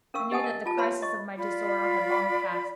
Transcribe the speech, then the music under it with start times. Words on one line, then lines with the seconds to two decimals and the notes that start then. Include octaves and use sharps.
I knew that the crisis of my disorder had long passed.
0.14 C#4 A#4 F5 C#6 E6
0.31 G4 D#5 F#5 G#5 A5 D#6
0.44 A#4 D#5
0.66 F4 A5
0.77 B4 C#5 F5 B5 C6
1.02 D#5 C#6
1.38 F4 D5 B5